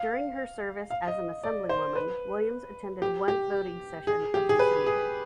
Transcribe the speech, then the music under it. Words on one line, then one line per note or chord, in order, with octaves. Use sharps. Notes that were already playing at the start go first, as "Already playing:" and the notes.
During her service as an assemblywoman, Williams attended one voting session of the Assembly.
Already playing: F5
F5
D#5
D5
C5
B4
G4
G4
G#4
G4
G#4
B4
G#4